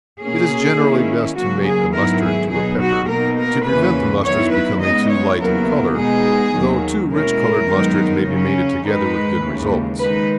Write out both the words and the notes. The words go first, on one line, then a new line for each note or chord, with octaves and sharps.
It is generally best to mate a mustard to a pepper, to prevent the mustards becoming too light in colour, though two rich-coloured mustards may be mated together with good results.
B2 A#3 C#4 G#4
D#3 A#3 C#4 E4
C#3 F#3 A#3 F#4
G#4
G#2 D#3 F#3 B3 E4 A#4
G#4
B2 F#3 B3 D#4 G#4
F#4
B2 A#3 D#4 A#4
A#4
E2 C#3 E3 A#3 C#4 B4
D#3 F#3 B3 E4 C#5
B4
C#3 G#3 B3 D#4 D#5
C#5
D#2 C#3 F#3 B3 E4 A#4
B2 G#3 B3 D#4 G#4
D#2 D#3 F#3
B2 G#3 C#4 E4 A#4
F#2 D#3 G#3 B3 D#4
C#3 F#3 C#4
G#2 D#3 G#3 D#4 B4
D#2 C#3 E3 G#3
D#3 G#3 D#4 B4